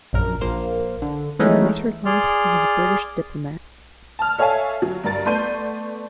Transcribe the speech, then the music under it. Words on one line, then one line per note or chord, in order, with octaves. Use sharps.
In later life he was a British diplomat.
A#1 F#2 A#4
A#1 A#3 C5 F5
D3
E3 G#3 A3 B3 C#4 D#4
G#4 D5 C6 F6
A5 F6
A4 C#5 E5 F5 G#5 A5
F#3
G2 A#4 A6
A3 B3 D5 C6 G6 D#7